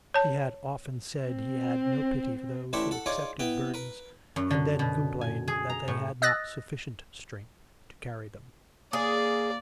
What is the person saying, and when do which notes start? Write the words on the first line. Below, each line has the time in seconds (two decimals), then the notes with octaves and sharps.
He had often said he had no pity for those who accepted burdens and then complained that they had not sufficient strength to carry them.
0.14 C#5 A5
1.24 C4
2.73 A1 D4 E4 G4 C5 C#6
2.91 A4 F#5
3.06 D#4 F4 G#4 C#5 D5
3.39 B3 E4 B4 G5
3.74 A#4 B4
4.36 F#2
4.51 D3
4.79 B2
5.21 G#5
5.48 G#4
5.70 A#5
5.88 A2
6.22 D#5 D#6 E6 F#6 A6 A#6
8.93 A#3 G#4 D5